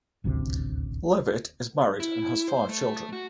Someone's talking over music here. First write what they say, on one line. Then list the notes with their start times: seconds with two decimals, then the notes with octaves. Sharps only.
Leavitt is married and has five children.
0.24 D#1 A1 D2 C3
2.00 E4
2.48 C5
2.69 A3
3.13 F#4